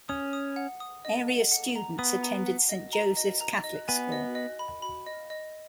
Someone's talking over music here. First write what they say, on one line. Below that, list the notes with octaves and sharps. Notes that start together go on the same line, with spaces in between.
Area students attended Saint Joseph's Catholic School.
C#4 D#6
D#6
F#5
D#6
D#5
F#5
F#5
A#5
B3 D#6
A#5
F#5
D#5
A#5
D#5
A#5
D#5
B3 G#5
D#5
D#5
B5
B5
D#5
D#5